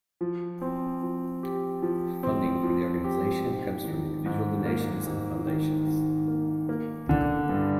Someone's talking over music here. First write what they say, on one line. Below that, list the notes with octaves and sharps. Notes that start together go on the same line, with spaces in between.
Funding for the organization comes from individual donations and foundations.
F3
C4
F3
G4
F3
C4
F3
G4
G#2
D#3
G#2
A#3
G#2
D#3
G#2
A#3
A#3
D3
G2